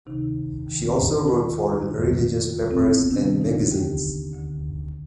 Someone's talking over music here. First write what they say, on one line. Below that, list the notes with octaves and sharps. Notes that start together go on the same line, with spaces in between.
She also wrote for religious papers and magazines.
D2 C3 D#3 D#4
D#2 D#3
D#2 D#3 F4
F2 C3 D#3
D#2 D3 F4
C4
B3
D2 C3 D#3 D4
D#4
D#2 D3 G4
D2 D3